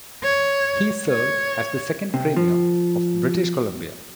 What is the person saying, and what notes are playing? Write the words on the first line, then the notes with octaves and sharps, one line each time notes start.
He served as the second Premier of British Columbia.
C#5
C#5
C3
F3